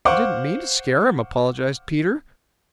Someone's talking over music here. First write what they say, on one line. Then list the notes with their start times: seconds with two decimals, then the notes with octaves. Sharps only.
"I didn't mean to scare him," apologized Peter.
0.05 C5 F5 F#5 C#6 D6